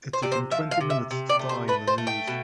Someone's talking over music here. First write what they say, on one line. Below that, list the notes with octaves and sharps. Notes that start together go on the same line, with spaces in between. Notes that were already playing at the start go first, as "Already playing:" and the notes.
It took him twenty minutes to die in the noose.
C5
C3 D5
C5
F3 E5
F5
C3
E5
C3
D5
A3
C5
A3 B4
C5
A3
G5
B2